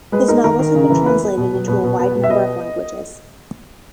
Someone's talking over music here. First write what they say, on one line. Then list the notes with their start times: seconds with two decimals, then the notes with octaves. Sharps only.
His novels have been translated into a wide number of languages.
0.12 G#3 B4
0.28 D#4 A#4
0.44 D#3 A#4
0.59 D#3
0.75 C#3
0.90 E3
1.05 B3 B4
1.21 B3
1.37 B2
1.53 F#3
1.68 B2 B4
1.84 B2
1.99 B3
2.15 B2
2.24 E5
2.30 B3 D#5